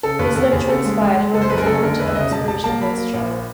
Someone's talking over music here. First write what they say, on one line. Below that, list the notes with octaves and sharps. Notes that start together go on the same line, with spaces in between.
This never transpired, however is a long term aspiration of Merseytravel.
C#3 A4
D#2 B4
D#2 A4
D#2 G#4
C#3 A4
G#3
G#3
G#3
F#1 A4
C5
F#2 B4
A#4
G#4
F#1 A4
D3 A#4
E2 B4
E5
C#3 D#5
E1 A5
E1 A5
A#3 A5
F#3 B5
A#3
A#1